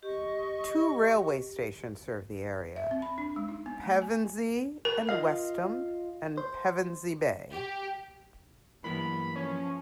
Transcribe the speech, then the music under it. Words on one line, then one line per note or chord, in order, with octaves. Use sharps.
Two railway stations serve the area: Pevensey and Westham and Pevensey Bay.
G4 D#5 C#6
E5
C4
B5
D4
G#3
D#4
B3
A3
G#5
A#4
F4 D#5 F5
C5
G4
G2 E3 F#3 A#3 B3 B5
F3 C#4